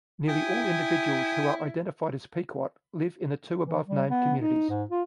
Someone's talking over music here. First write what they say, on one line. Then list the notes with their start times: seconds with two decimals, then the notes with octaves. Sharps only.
Nearly all individuals who are identified as Pequot live in the two above-named communities.
0.28 E4 G5 G#5 D#6
3.66 E3
3.86 G3
4.10 B3
4.39 D#4
4.69 G#2
4.91 F4